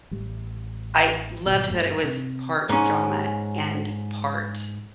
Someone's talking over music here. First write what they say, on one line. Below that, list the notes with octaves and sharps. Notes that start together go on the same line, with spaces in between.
I loved that it was part drama and part
A1 G3
G#1 B2
G2 A3
C3
G#2 C#4